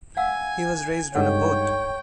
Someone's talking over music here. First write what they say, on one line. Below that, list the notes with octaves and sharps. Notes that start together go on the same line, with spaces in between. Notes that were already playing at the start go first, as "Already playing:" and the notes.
He was raised on a boat.
F5 F#5 G#5 E6
G2 G#3 D#4 A4 C#5 F#5 G5